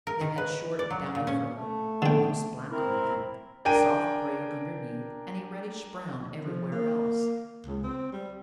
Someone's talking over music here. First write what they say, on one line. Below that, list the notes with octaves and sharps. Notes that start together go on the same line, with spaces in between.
They had short, downy fur, almost black on the back, soft gray underneath, and a reddish brown everywhere else.
A#4
D#3
B4
D5
F#3
A#2
C#4
A3
D3 G5
C4 E4 A#4
D4 A#4 G5 G#5 D#7
F3
A#3
C#2
C4
G3